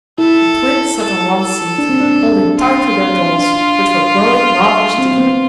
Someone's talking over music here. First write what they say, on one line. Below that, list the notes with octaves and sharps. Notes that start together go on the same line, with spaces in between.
The Twins sat on one seat, holding tight to their dolls, which were growing rather sticky.
E4 A4
A4
A4
D4
C4
D4
F4
D4
C4
C4
B3